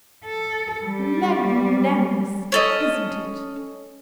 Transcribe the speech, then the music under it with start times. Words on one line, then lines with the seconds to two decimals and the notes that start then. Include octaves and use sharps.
Magnanimous, isn't it?
0.25 A4
0.84 G3
2.52 C#4 A4 D#5